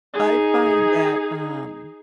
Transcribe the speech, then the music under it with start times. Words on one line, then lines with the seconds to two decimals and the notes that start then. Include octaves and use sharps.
I find that, um,
0.14 D#4 G#4